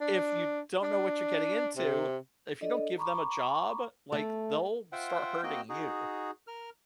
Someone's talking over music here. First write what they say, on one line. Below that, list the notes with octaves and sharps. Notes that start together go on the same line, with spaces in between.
If you don't know what you're getting into, if you don't give them a job, like, they'll start hurting you.
D4
D4
C3
D4 A4 D5 D#5
A#5 B5 C#6 D6
A3
F4 C5 E5 F#5 G5
A#3 C4 F#4 D#5 G5
D#4 F#4 G#4
A#4 F6